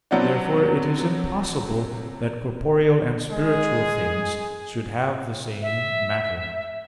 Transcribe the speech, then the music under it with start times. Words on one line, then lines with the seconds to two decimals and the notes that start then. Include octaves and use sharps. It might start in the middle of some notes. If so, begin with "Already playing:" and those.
Therefore it is impossible that corporeal and spiritual things should have the same matter.
0.11 C3 F#3 B3 C4 D4
3.30 G#3 G#4
5.62 E5